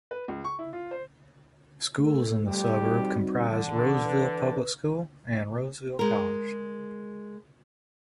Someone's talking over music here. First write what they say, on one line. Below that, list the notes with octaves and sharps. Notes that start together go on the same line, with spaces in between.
Schools in the suburb comprise Roseville Public School and Roseville College.
B4
C#2
C#6
E4
F4
C5
A3 A4
F2 G3 G4
C4 D#4 F#4
D3 E3 A5
B4
G#3 A#4